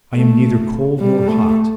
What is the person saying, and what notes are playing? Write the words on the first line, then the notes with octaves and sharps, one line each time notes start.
I am neither cold nor hot.
A3
G3
A3